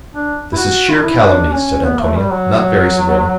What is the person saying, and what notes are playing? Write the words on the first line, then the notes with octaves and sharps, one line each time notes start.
"This is sheer calumny," said Antonia, not very severely.
D4
E4
F#4
E4
D4
E4
D4
C#4
B3
A3
G3
F#3